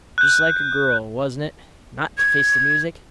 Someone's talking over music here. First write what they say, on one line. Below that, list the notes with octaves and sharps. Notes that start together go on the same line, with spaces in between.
Just like a girl, wasn't it--not to face the music?
F#6 G6
G#6